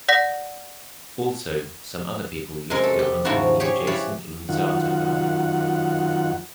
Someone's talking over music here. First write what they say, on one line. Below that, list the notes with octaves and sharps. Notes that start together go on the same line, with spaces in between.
Also, some other people used to go hunting in the adjacent Lunzjata Valley.
D5 F#5 A#6 B6
F#2 C3 G#3 A#4
A4
G4
G#2 C#3 F3 F#3 E4 F#4
G4 G#4 C#5
E3 C#5 D5 F5 B5
F#2 D#3 F4 F#5